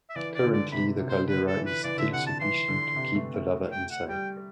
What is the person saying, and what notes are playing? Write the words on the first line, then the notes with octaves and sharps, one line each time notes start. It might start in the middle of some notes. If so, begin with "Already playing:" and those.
Currently the caldera is still sufficient to keep the lava inside.
E5
E3 D5
D5
D3
D5
C3 B5
C3
C5
D3 B4
A4
E3
B4
E3 D5
D3 E5
C3 F#5
D3 A5
E3 C6
D3
C3
A3
A3
G5
F#5
G3 G5